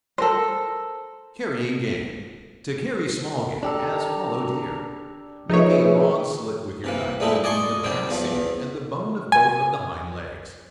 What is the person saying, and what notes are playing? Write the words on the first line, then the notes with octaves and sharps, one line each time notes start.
Carrying Game.--To carry small Game, as Fallow Deer.--Make a long slit with your knife between the back sinew and the bone of both of the hind-legs.
A4 A#4 C5
D4 G4 A4 A#5
F3 D#4 G#4 B4 C#5 E5
C3 E3 A#3
G2 A#2 G#3 A3 D#4 E4
D5 D#5 G#5 A5 C6 C#6
D#3 G3 C4 G4
E2 F3
E2
G#5